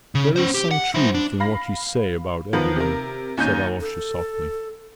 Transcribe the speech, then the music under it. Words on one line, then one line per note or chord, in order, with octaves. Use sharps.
"There is some truth in what you say about every one," said Alyosha softly.
C#3
C#4 C5
G4
F#5
E4 C5
D4
F5 B5 A#6
D#3 F3 B3 A#4 B4
C3 A#4
D#2 C#4 D#4 G6 D#7
A4